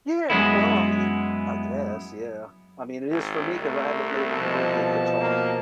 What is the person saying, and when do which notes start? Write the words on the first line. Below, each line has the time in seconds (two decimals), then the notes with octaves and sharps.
Yeah. Well, I mean, I guess, yeah. I mean, it is for me 'cause I haven't made any money at guitar.
0.30 F#2 G#3 B3 E4
3.11 G#1
3.54 C2 A3
4.32 B2 F3 A5
5.21 A#3